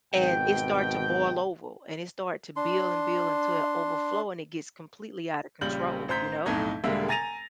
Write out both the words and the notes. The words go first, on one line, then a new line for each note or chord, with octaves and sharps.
and it start to boil over, and it start to build, and build until it overflow, and it gets completely out of control, you know.
G#1 B2 G5
D4 C6
A#1 C#3 G3 G6 F#7
A1 C5 A#5 G6 B6
B1 F2 A2 D#4 G#6
E1 D3 G3 G#3 A#3 E5
G#5 A#5 A6 A#6 D#7 F7